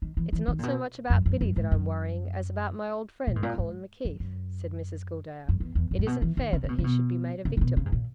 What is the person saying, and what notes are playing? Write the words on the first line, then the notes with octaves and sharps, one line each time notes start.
'It's not so much about Biddy that I'm worrying as about my old friend, Colin McKeith,' said Mrs Gildea. 'It isn't fair that he should be made a victim.'
D#3
E3
E3
D#3
A#2
B2
F#2
F#2
F#2
G#2
F#2
A#2
G#2
A#2
G#2
F#2
F#2
F#2
E2
E2
F#2
A#2
B2
E3
D#3
C#3
C#3
B2
C#3
B2
C#3
C#3
B2
C#3
G#2
A#2